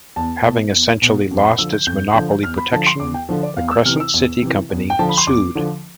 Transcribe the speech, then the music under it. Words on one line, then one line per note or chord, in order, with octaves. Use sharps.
Having essentially lost its monopoly protection, the Crescent City Company sued.
E2 A5
B2
E2
B2
F2
B5
D3 F3 E6
G6
F2 G6
D3 F3
E2 F6
B5
D3 F3 A5
C6
E2 D6
G5
D3 F3
D5
E2 F5
E6
C3 E3 F6
E6
E2
C3 E3
E2
G5
D3 F3 A5
B5
C6
E2 D6
D3 F3